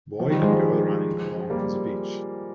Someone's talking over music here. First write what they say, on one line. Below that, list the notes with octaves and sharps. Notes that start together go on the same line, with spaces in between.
Boy and girl running along the beach.
F3
D#3 G3
F3 G#3
F3 G#3
G3 A#3